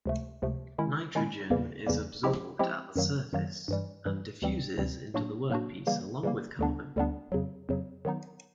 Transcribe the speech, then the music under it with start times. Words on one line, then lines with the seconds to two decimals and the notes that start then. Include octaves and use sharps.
Nitrogen is absorbed at the surface and diffuses into the workpiece along with carbon.
0.06 C#2 C3 F3 A3
0.42 C#2 C3 F3 A3
0.78 D#3 G#3 C#4 E4
1.15 D#3 G#3 C#4 E4
1.50 E2 C#3 E3 G3 A#3
1.87 E2 C#3 E3 G3 A#3
2.23 F3 G#3 C4 E4 G4
2.59 F3 G#3 C4 E4 G4
2.96 F#2 D#3 F#3 A#3
3.33 F#2 D#3 F#3 A#3
3.68 G2 E3 G3
4.05 G2 E3 G3
4.42 D2 C3 E3 G3 C4
4.78 D2 C3 E3 G3 C4
5.14 A2 F#3 A#3 D4 F#4
5.50 A2 F#3 A#3 D4 F#4
5.87 C#3 E3 G3 A#3
6.23 C#3 E3 G3 A#3
6.59 D2 D3 G3 B3 D4
6.96 D2 D3 G3 B3 D4
7.32 F2 C#3 F#3
7.69 F2 C#3 F#3
8.05 D#3 F#3 B3 D#4